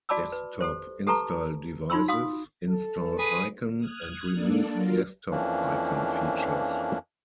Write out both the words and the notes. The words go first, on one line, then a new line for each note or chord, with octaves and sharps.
Desktop 'Install devices', 'Install icon' and 'Remove desktop icon' features.
F#4 D5 A5 B5 D6 E6
B4
G4 A4 C5
G4 A4 B4 A5 A#5 C#6
D#4 F4 B5 C6 E6
F#4 F5 C6 D#6
A4
G#4 B4
D#6 F6 F#6 G#6
A#3 D4 A4 D5
F#3 F4 A#4
F2 E3 F3 A#3 C#4 D4